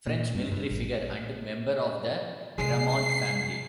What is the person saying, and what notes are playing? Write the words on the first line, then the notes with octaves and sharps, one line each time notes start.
French military figure and member of the Gramont family.
A#2
G2
G2
A1
C3 G#3 C7